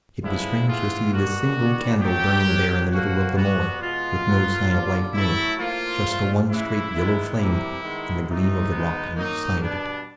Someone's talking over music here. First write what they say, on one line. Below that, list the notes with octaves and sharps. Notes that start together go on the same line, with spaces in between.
It was strange to see this single candle burning there in the middle of the moor, with no sign of life near it--just the one straight yellow flame and the gleam of the rock on each side of it.
D3 F3 G#3 B3 E4
A2 E3 G#3 B3 F4
B2 G3 A#3 F#4
D#3 G3 B3
C#3 F#3 A3 G4
C3 D#3 F#3
D3 F3 A#3 F#4
B2 G3 B3 F#4
B2 G#3 B3 F4
A2 F#3 B3
D3 G3 A#3
A2 F#3 A3 E4
A2 F3 A#3 F4
A#2 F3 A3
C#3 E3 G#3 E4
D#3 G#3 B3
C3 E3 G3 A#3 E4
D#3 G#3 B3
C3 E3 A3 D#4
B2 G#3 B3
D#3 F#3 A#3 D#4
B2 G3 B3 D4